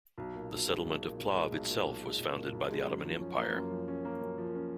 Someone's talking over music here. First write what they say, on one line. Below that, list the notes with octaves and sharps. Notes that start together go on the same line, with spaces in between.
The settlement of Plav itself was founded by the Ottoman Empire.
B1
A#2
B1
G#3
B1
A#2
B1
G#3
B1
A#2
B1
G#3
B1
A#2
B1
G#3
F#2
F3
C#4
A#3
F#2
F3
C#4
A#3
F#2
F3
C#4